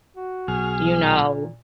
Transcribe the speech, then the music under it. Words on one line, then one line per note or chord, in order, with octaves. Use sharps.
you know,
F#4
B1 G#4 F6
A#2